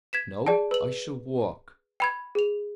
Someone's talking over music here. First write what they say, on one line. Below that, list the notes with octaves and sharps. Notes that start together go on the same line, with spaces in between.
"No; I shall walk."
G#6 B6 E7
G#4 D5 G5 A5
B4 F#7
G5 B5 G#6
G#4 F7